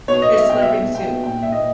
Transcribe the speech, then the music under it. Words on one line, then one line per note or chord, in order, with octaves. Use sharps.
you're slurping soup,
B2 C#5
B2 D#5
B2 E5
B2 G5
B2 E5
B2
B2 G5
B2
A#2 G5
A#2 E5
A#2 D#5